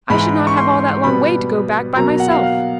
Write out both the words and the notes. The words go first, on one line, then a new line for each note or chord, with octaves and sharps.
"I should not have all that long way to go back by myself."
G#2 E3 G#3 B5
C#6
C6
C6
B2 G3 B3 B5
B2 F#3 A#3 A#5
A#5
F#5
F5
F5